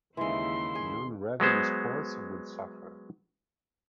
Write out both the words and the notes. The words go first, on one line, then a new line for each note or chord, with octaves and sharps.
Non-revenue sports would suffer.
D#2 C#3 E3 G#3 E4 C6
G#4
F#3 G#3 B3 C5